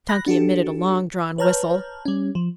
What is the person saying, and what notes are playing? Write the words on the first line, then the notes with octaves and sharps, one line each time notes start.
Chunky emitted a long-drawn whistle.
B5 F#6 A#6
D4 F#4 G4 A4
B4 C#5 A5 A#5 F6 G6
G3 C#4
F3